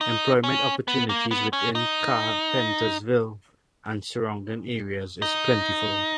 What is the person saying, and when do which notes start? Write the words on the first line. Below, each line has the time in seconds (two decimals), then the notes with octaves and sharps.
Employment opportunities within Carpentersville and surrounding areas is plentiful.
0.01 D#4
0.44 C#4
0.88 B3
1.09 A#3
1.31 B3
1.53 C#4
1.75 D#4
5.22 D#4